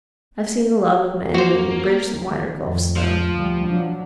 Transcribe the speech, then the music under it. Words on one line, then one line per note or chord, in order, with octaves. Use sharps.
I've seen the love of man and woman bridge some wider gulfs though.
A#3 F#4 C5
D#3
F2 A2
F3
D2 G3
F#3 D4